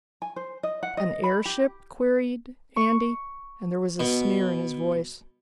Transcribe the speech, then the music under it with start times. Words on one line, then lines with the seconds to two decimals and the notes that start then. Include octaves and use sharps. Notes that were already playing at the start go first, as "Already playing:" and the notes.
"An airship?" queried Andy, and there was a sneer in his voice.
0.22 G#5
0.36 C5
0.63 D#5
0.83 F#5
0.97 D#5
1.24 B5
1.45 G4
2.76 C#6
4.00 B2